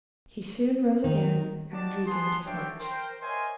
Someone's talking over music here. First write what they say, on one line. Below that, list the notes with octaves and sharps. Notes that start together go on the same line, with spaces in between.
He soon rose again and resumed his march.
D#3
D#4 F#4 G4 D5 A5
B3 G#4 F#5 A5 C6
D4 F#4 A4 C#5 E5 G5
A#4 C5 G5
A#4 C5 C#5 D#5 E5 G#5